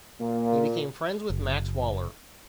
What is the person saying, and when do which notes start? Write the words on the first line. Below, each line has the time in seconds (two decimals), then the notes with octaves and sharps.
He became friends with Max Waller.
0.21 A#2 A#3
1.30 F#1